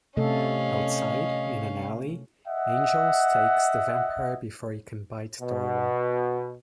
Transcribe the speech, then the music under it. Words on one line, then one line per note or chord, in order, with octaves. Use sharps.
Outside, in an alley, Angel stakes the vampire before he can bite Darla.
C3 A3 C#4 A4 D#5 F5
D#5 E5 F#5
B2